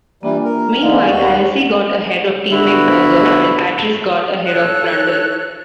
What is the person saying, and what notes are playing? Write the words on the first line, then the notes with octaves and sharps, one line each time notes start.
Meanwhile, Alesi got ahead of team-mate Berger while Patrese got ahead of Brundle.
E3 G3 A#3 D4 F4
A#4
D3 E3 G#3 D5 F5
D#2 F#4
D3 B3 D4 E4 F#4 B5
A4 C#5 F#6